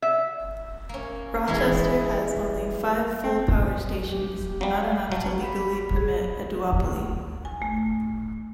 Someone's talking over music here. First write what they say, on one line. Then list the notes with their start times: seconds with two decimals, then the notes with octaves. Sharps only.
Rochester has only five full-power stations-not enough to legally permit a duopoly.
0.02 E5
0.89 A#3 C#4
1.48 E3 G#3 E4 G#4 B4
3.24 C4
4.09 G4
4.61 F#3 G3 F5
5.12 F#3 A5
5.42 B5
5.96 G#4
6.86 D2
7.45 G#5
7.62 A3